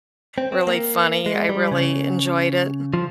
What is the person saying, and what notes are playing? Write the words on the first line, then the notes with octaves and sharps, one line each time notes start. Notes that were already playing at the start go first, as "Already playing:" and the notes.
really funny, I really enjoyed it.
C4
C4
A#3
G#3
G3
C#3
F3